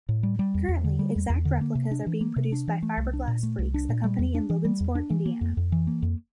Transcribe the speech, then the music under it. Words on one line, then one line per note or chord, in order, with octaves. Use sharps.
Currently, exact replicas are being produced by Fiberglass Freaks, a company in Logansport, Indiana.
A2
G3
G3
E2
E2
D3
G3
E2
E2
D3
A#3
C3
D4
E3
A#3
C3
D4
E3
A3
C2
D4
A#2
A3
C2
D4
A#2
G3
E2
D4
E3
G3
E2
D4
E3
A#3
F2
F2
E3
A#3
F2